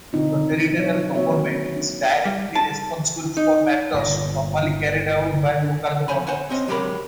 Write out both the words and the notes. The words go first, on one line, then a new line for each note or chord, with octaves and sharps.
The territorial government is directly responsible for matters normally carried out by local government.
B2 D3 C4 D#4 F4
F#3 C#5
A#3 C4 F#4 C#5 E5
G3
A5
D#4
G1 A#2
F2 A3 C5 C#5 G#5 B5
C5 C#5 F#5 G#5
C4 C#4 D#5
D2 F#3 G#3 G4 A#4 B5